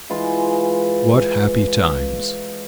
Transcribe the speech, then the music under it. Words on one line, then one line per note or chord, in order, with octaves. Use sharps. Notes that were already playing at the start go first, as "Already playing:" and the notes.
What happy times!
E3 G#3 F4 C6